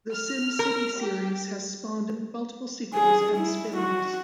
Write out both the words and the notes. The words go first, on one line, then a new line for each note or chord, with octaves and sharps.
The "SimCity" series has spawned multiple sequels and spin-offs.
F6
A#4
G4
G#4
E4
F#4